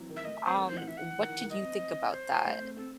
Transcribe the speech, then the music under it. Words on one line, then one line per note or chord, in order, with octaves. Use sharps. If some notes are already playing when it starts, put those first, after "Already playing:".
um, what did you think about that?
Already playing: E3 F#3 C4
D#3
E5
A3 D#5
E5
C4 C5
D#3 A4
C5
E3
F#5
E3 E5
F#5
E3
D#3
E3
D#3
F#3 D#5
C4
C4
C#5
C5
A3
C4
C4 A4